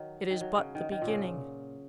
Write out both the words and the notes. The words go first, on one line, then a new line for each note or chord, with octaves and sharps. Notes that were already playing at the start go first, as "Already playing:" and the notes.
It is but the beginning!
Already playing: D#3 F#3
D#3
F#3
C#3
D#3
D#3
A#2
C#3